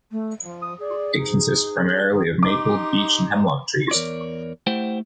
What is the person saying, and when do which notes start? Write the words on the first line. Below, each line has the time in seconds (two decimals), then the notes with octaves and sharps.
It consists primarily of Maple, Beech and Hemlock trees.
0.11 A3
0.42 F3
0.62 D#6
0.80 G#4 D5
1.16 D#4
2.11 D#3
2.43 D#4 G4 C6 D6
3.91 E2 A#4 C#5 D5
4.67 A3 E4 G4 C5 F#5 G5